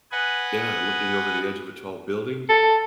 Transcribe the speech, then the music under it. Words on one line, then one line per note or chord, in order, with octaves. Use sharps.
Yeah, looking over the edge of a tall building.
B4 D#5 F#5 G#5
A4